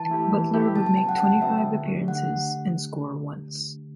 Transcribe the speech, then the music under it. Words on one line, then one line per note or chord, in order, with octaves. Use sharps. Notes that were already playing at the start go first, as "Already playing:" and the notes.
Butler would make twenty-five appearances and score once.
Already playing: E3 A5
A3 E4 G4
E3
A3 E4 G4
C#3 A5
A5
F#3 B3 G5
F#5
C#3 A5
G5
F#3 B3 E5
D3
A3 D4 G4
D3 F#5